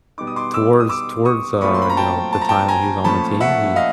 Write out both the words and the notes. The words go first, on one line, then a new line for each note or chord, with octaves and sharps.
towards towards, uh, you know, the time that he was on the team, he,
B2 G3 B3 D#4 D6
D#6
C6 D6
D6 E6
D#6
D6 E6
C#6 D#6
A#2 F#3 A3 C4 F4 B5 C#6
C6
B5
A#5
G5 A5
A5
A#5
G5 A5
G#5 A#5
A#2 F3 A3 C#4 A5 B5
E5 F#5
D#5 F5